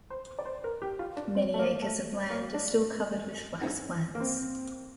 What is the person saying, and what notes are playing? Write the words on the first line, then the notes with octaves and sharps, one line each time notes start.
Many acres of land are still covered with flax plants.
C5
D5
C5
A#4
G4
F4
D4
C4
A3
A#3
A3
A#3
D4
A#3
C4